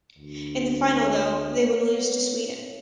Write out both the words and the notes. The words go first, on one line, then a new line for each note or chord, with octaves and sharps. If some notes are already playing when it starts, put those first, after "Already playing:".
In the final though, they would lose to Sweden.
D2
C#5
B3